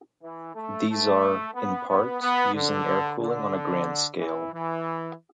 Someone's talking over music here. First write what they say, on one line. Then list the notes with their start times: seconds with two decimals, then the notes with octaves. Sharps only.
These are, in part, using air cooling on a grand scale.
0.22 E3
0.55 A3
0.89 A3
1.54 B3
1.88 B3
2.20 B3
2.54 D3
3.19 D3
4.18 E3
4.52 E3